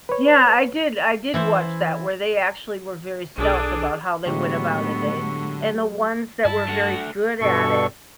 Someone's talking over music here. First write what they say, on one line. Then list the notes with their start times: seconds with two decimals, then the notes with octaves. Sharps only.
Yeah, I did I did watch that, where they actually were very stealth about how they went about it, they and the ones that were very good at it
0.09 B4 C#5
1.34 E3 E4 C5
3.38 B1 D4 G#4 A4
4.27 A2 D3 F#3 G#3 B3 G4 C#6
6.45 G2 G3 E4 A5
6.68 D3 A3 F#4
7.41 G2 B2 A4 C#6